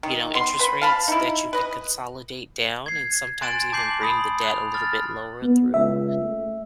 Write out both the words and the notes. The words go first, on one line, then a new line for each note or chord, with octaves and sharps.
you know, interest rates that you could consolidate down and sometimes even bring the debt a little bit lower through,
D#3
B3 C6
B4 B5
F5 A5 B5
D#4 E4
B4 D#5
G#6 C7
G#5 C6 F#6 A6 D7 E7
A5 D6 G6 C7 F#7
B5 D#6 F#7
F#6 F7
F6 A6
B3
C#2 E5
A3